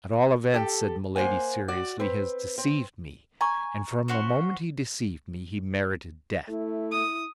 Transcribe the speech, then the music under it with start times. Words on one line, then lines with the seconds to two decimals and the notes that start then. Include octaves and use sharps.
"At all events," said Milady, seriously, "he has deceived me, and from the moment he deceived me, he merited death."
0.54 G4 A4
1.16 A#3 C5 F#5 G#5
1.68 F#4 D5
2.00 C4 B4
2.58 C4
3.41 G#5 A#5 C#6
4.08 C#4 F#4 C5
6.48 A3 E4
6.92 D#6